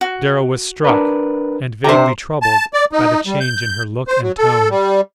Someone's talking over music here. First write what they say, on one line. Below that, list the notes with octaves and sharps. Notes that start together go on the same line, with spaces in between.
Darrow was struck, and vaguely troubled, by the change in her look and tone.
F#4
D4 A#4 B4
C3 D4 G4 C5 A#5
A5
D5
D#4
G3
G6
C5
F#3
A4
G3